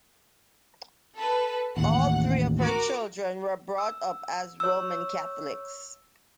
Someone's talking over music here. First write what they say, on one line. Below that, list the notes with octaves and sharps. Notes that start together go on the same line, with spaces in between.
All three of her children were brought up as Roman Catholics.
A4 B4
A1 D#2 F#5
F#4 A#4 D6
E6
C#5 E6